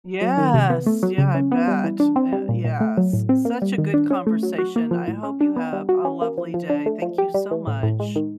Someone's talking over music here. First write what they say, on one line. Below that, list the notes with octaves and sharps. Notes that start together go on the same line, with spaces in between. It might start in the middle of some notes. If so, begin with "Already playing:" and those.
Yes, yeah, I bet, an yes, such a good conversation, I hope you have a lovely day, thank you so much.
F#3
D#3
C3
B3
A3
F#3
C#3
C#4
B3
G3
E3
D4
C4
G3
A#2
A#2
A3
F#3
A2
C4
A#3
G3
D#3
D4
C#4
A3
F#3
F#4
A#3
F3
A2
C#4
D4
B3
G3
F#4
C#4
A#3
F3
F3
D4
A3
F3
G4
G3
E3
A2
A2
G#3
D#3